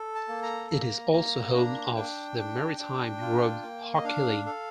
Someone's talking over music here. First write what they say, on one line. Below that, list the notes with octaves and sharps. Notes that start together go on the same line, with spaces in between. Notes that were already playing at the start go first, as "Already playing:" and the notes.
It is also home of the Maritime Road Hockey League.
Already playing: A4
A5
A#3
A#5
A#3 A#5
A#3 A#5
D4 A#5
D4 G5
D4
D4
F4
A#3
D#5
D4 F5
A4 F5